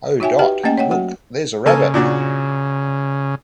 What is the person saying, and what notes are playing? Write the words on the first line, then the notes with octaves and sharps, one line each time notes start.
Oh, Dot, look, there’s a rabbit.
D#4 F#4 C#5 E5 G5 G#5
G4 B4 E5 G5
A3 A#3 C#4 D#5 G5 G#5
C#5 D#5 F#5 G5
F#3 F#4 F#5
C#3 A#3 A4 G#5
A#2 D4 F#4